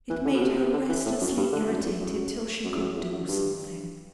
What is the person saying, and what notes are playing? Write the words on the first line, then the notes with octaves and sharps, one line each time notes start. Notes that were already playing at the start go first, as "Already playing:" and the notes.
It made her restlessly irritated till she could do something.
E3
D3
B2
C3
C3
D3
E3
A2
F#2
G2
D3
F#2
E2
F#2
F#2
E2
F#2
E2
F#2
G2